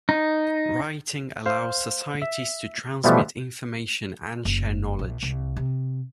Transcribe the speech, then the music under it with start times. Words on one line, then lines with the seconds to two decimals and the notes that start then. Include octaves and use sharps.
Writing allows societies to transmit information and share knowledge.
0.09 D#4
1.46 C5 F5
2.22 E5
3.04 B2 E3 F3 G3 A3 B3
4.45 F#1
4.99 A#1
5.23 C2
5.57 C3